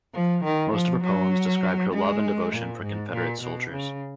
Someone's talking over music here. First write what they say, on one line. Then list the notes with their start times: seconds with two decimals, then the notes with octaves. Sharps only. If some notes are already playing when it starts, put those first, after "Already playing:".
Most of her poems described her love and devotion for Confederate soldiers.
0.14 F3
0.43 D#3
0.74 F3
1.03 F#3
1.93 G#3
2.53 A#2
2.82 G#2
3.12 A#2
3.42 B2
3.72 C#3